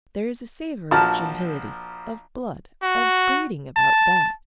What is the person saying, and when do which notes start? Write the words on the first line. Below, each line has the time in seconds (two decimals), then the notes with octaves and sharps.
There is a savor of gentility, of blood, of breeding, about that.
0.91 A#1 F3 F#4 A5 F6
2.82 F#4
3.76 A5